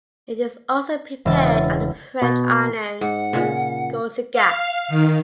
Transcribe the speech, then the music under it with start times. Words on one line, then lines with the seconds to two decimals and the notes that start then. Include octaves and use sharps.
It is also prepared on the French island of Corsica.
1.25 E1 C#3 E5 E6 A6
2.22 B2
3.01 G#2 F#5
3.33 A#2 C#3
4.33 F5
4.88 D#3